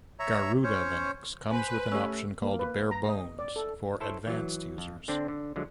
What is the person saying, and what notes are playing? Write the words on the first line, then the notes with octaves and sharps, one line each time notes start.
Garuda Linux comes with an option called Barebones for advanced users.
C#5 E5 A#5
C#4 C5 C#5
B4 C5 G#5
A3 C#4 G4 E6
A#3
B4
A#5
D#5
D5
A4
E4 A4 C5 C#5
E3 F#3
F2
D3 C4 D4
D3
D3 F3 F#3 G#3